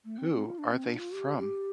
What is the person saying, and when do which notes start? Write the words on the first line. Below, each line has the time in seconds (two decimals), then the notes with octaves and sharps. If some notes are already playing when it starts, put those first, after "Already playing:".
Who are they from?
0.05 A3
0.18 C4
0.32 C4
0.46 F4
0.59 D4
0.72 C4
0.85 D4
0.98 F4
1.12 G4
1.38 G4